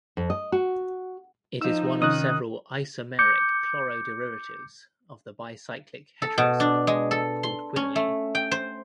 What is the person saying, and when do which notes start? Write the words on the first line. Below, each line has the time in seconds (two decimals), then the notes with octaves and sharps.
It is one of several isomeric chloro derivatives of the bicyclic heterocycle called quinoline.
0.17 F2
0.30 D#5
0.52 F#4
1.61 F3 D#4 E6
2.02 C3 D#3 C#4 D#6 F#6
3.19 D6 G6 C#7
6.22 A4
6.38 B2
6.60 D4
6.87 G#3
7.11 A4
7.43 C6
7.76 C#4
7.96 A3
8.35 G5
8.51 C5